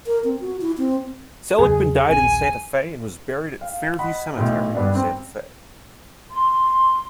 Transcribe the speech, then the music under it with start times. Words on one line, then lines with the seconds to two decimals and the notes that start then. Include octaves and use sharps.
Seligman died in Santa Fe, and was buried at Fairview Cemetery in Santa Fe.
0.06 A#4
0.24 C4
0.41 F#4
0.61 E4
0.78 C4
1.59 E2 C#3 F#3 G#4
2.09 D#1 A#1 C4 G#5
3.61 F5
3.99 D#5 F#5 B5
4.38 B1 A2
4.74 G2 B3 D4
4.95 C4
6.31 C6